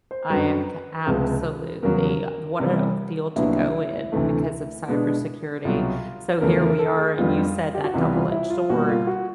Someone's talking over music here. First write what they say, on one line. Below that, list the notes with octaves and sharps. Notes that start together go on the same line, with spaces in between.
I, uh, c absolutely. What a field to go in because of cybersecurity. So here we are, and you said that double-edged sword,
C5
F#2 D3 F#3 B4
C#2 C3 F3 G#3 B3
E2 C#3 F#3 A#4
C3 E3 G3 B3
C2 A#2 F#3 B3 D4 E4
D2 C3 E3 A3
B2 G#3 B3 D4
C2 B2 F#3 F4
E2 C#3 E3 A3 A#4
A#4
A4
G#4
F2 D3 G3 B3 F4
G4
F#4
C2 C3 E3 G3 B3 F4
F4
E4
F4
B2 G3 A#3 F#4
F4
F#4